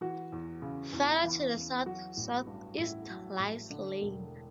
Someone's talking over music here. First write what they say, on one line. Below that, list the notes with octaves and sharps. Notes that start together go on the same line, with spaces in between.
Farther to the south-southeast lies Lane.
E3 F#4
E2
C#3
E2
E3
E2
F#3 F#4
A1
G2
A1 E4
F#3
A1
D3
E1